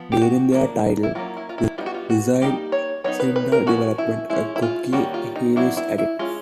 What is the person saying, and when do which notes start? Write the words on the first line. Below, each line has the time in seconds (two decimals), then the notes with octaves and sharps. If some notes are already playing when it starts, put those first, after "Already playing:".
During their title reign, Sydal developed a cocky, heelish attitude.
Already playing: F3 B3
0.12 G4
0.22 F#4
0.52 F3 A#3 D4
1.03 E4
1.15 F#3 A#3 C#4 F4
1.37 E4
1.49 F4
1.58 E4
1.78 G3 B3 D#4 F4
1.86 F#4
1.94 F4
2.10 F#4
2.41 G3 A#3 D#4 G4
2.72 C#5
3.04 F#3 B3 D#4 C#5
3.20 B4
3.36 B4
3.52 A#4
3.67 F3 A3 C#4 F#4
3.98 E4
4.30 G#3 C#4 E4
4.56 E4
4.62 F4
4.92 D#3 G3 A#3 C#4 F#4
5.14 F4
5.36 D#4
5.56 F#3 B3 D4 E4
5.77 E4
5.98 E4
6.19 G#3 C#4 F4